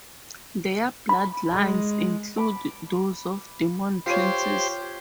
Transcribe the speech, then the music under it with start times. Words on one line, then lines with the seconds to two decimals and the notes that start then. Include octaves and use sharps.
Their bloodlines include those of demon princes.
1.09 B5
1.50 G#3
2.37 B5 D6
4.06 F4 G4 C5 C#5